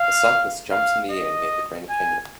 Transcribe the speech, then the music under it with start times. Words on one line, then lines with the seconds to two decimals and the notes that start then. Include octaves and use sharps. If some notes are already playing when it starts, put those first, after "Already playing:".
A cyclist jumps in the air near the Grand Canyon.
Already playing: F5
0.71 F5
1.11 D#5
1.90 G#5